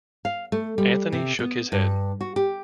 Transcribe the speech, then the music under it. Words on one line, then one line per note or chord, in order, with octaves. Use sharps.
Anthony shook his head.
F5
A3
G3
C3
B3
G2
F#4
G4